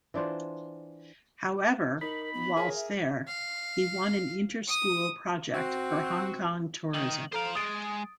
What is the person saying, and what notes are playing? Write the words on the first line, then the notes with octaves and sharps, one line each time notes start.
However, whilst there, he won an inter-school project for Hong Kong tourism.
E3 D4 F4 C5
D#4 A#4 B5
B3
G#4 A#4 C#5
E5
F5
D#6
C4 F#4
D#3 D#4 F#7
A4 C5 F5 A#5 D7
G#3 D#6 A6 D7